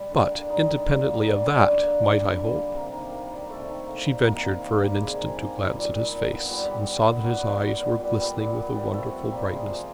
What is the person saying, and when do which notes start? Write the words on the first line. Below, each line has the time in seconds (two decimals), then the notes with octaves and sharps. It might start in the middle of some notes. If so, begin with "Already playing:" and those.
"But, independently of that, might I hope?" She ventured for an instant to glance at his face, and saw that his eyes were glistening with a wonderful brightness.
Already playing: G3
0.11 D3
0.31 A#3
0.49 D3 D#4 D#5
0.67 G3
0.86 D3
1.05 A#3
1.24 D3 D#5
1.34 D5
1.42 G3 C#5
1.55 D4 D5
1.62 D3
1.81 A#3
1.99 D3
2.18 G3
2.36 D3
2.56 A#3
2.74 C3 A#3 A#4
2.93 D#3
3.12 A#3
3.30 G3
3.49 C3 A3 A4
3.69 D#3
3.87 A#3
4.05 G3
4.24 C3 A#3 A#4
4.44 D#3
4.63 A#3
4.81 G3
4.99 C3 G#3 G#4
5.18 D#3
5.37 A#3
5.55 G3
5.75 A#2
5.93 G3
6.13 A#2
6.31 B3
6.49 A#2 G3 G4
6.68 G3
6.88 A#2
7.06 B3
7.24 A#2 F#3 F#4
7.43 G3
7.62 A#2
7.81 B3
7.99 A#2 G3 G4
8.19 G3
8.37 A#2
8.55 B3
8.74 C3 G3 G4
8.94 F3 A3 A4
9.12 C3
9.31 G3 A#3 G4
9.49 C3 G#3 G#4
9.69 F3